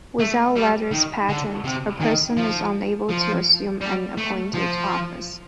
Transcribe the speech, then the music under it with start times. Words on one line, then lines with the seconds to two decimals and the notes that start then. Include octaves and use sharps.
Without letters patent, a person is unable to assume an appointed office.
0.19 A3
0.56 G3
0.91 D#3
1.29 D3
1.64 C3
2.00 D#3
2.37 F3
3.09 F3
3.81 G3
4.17 A3
4.54 F3